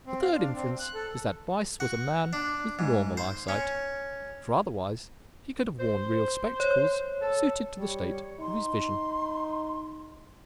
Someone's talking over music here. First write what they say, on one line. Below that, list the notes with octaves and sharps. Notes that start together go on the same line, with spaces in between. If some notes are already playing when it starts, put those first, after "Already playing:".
The third inference is that Weiss was a man with normal eyesight; for otherwise he could have worn real spectacles suited to the state of his vision.
C4
F5
D4
C4
F#6
A4
F#4
D4
G#2
C5
C#4
C5
C#5
A4
G3 C#5
D#4 C6